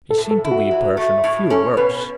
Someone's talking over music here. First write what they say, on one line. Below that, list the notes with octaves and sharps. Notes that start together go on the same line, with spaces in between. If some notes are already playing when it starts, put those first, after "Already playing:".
He seemed to be a person of few words.
A4
A2
A4
E4
F#4
F#3
A3
A2
C#4 A4
B2 B4